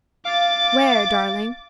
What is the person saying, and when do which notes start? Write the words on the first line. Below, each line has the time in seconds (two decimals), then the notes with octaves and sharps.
"Where, darling?"
0.25 F5 D6 A6